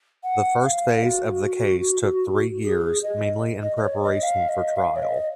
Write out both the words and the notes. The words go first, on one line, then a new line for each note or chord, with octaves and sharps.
The first phase of the case took three years, mainly in preparation for trial.
F#5
F5
F#4
G#4
D#5
D#5
D#5
C#5
D#5
F5
D#5
F5
C#5
D#5